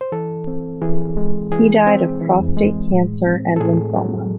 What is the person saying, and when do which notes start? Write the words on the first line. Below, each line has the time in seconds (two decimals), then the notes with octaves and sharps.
He died of prostate cancer and lymphoma.
0.01 C5
0.12 E3 A4
0.47 C4
0.82 E3 G#4
1.17 G#3
1.52 E3 G#4
1.87 C4
2.21 E3
2.57 G#3
2.92 A2
3.27 C4
3.56 A4
3.61 A2 G#4
3.96 F#3